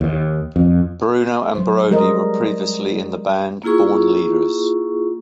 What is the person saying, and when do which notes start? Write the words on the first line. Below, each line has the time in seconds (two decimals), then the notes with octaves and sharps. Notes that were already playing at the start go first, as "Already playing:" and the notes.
Bruno and Brodie were previously in the band Born Leaders.
0.01 D#2
0.56 F2
1.55 F#3 C5
1.91 G3 G#3 A#4 C5 D#5
3.63 A#3 E4 F4 G#4 C#6